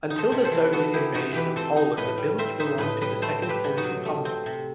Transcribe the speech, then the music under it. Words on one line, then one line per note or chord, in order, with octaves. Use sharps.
Until the Soviet invasion of Poland the village belonged to the Second Polish Republic.
D#4
A4 C5
C3
A4 C5
E3
B3 F#4 A4
D#4 E4 G4
C3 D#4 F#4
E3 G4 B4
C4 A4 C5
D#4
A2 B4 D#5
G3
C4 C5 E5
D#4 C5 E5
A2 B4 D#5
G3 B4 D#5
A3 A4 C5
C4 C5
G4 B4
C3
D#4 F#4
F#3
A3
C4
C3